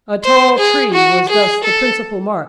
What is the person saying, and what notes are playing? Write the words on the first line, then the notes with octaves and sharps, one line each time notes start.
A tall tree was thus the principal mark.
C5
G#4
F#4
G#4
A4